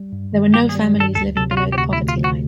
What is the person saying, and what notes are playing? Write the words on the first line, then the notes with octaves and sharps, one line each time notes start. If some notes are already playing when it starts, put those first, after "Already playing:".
There were no families living below the poverty line.
Already playing: G3
G2
D#3
G3 G4
G#4
G3
G2
A4
D2 A4
C3 A4
F4
C3 F#4
G4
D2 F#4
E4
D2
F4
D2
F#4